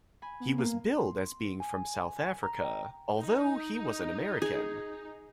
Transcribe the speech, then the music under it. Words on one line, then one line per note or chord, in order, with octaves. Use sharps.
He was billed as being from South Africa, although he was an American.
G#5 B5
B3
A#3
C6
G#5
A#5
G5
D#4
G#4